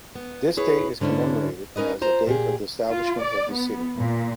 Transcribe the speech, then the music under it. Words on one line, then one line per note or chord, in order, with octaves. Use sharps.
This date is commemorated as a date of the establishment of the city.
B3
E4 G#4 B4 C#5
G#2 D3 C#4 D4 E4
C#4 D#4 A#4 B4 D#5
F4 C5 A#5
A#2 G4 G#4
F4
D5
B3
A#2